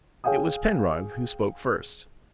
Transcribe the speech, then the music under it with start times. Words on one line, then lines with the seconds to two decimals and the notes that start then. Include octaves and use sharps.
It was Penrod who spoke first.
0.24 G#4 C#5 F5 G5 G#5 D#6